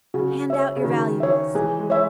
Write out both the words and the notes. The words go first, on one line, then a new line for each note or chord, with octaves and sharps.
"Hand out your valuables!"
C#3 F#4
C#5 E5
C#3
D#3 F#4
C#5 E5
E3 G#4
G#3
C#5 E5